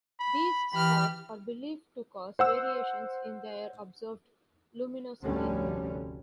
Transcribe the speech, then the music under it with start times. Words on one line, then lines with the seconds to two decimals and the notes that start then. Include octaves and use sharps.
These spots are believed to cause variations in their observed luminosity.
0.20 B5
0.73 E3 G4 B5 F6
2.39 C5 F#5 E6
5.22 F1 D2 A2 D3 G3 C#4